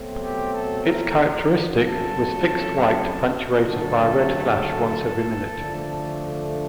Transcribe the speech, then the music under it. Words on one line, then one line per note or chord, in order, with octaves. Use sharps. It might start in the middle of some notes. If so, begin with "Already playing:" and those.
Its characteristic was fixed white punctuated by a red flash once every minute.
Already playing: B2 F#3 A3 C4
G4
A4
A#4
F#2 C#3 F#3 A3 C4 A4
D3 F#3 A3 A4
D3 F3 A3 D4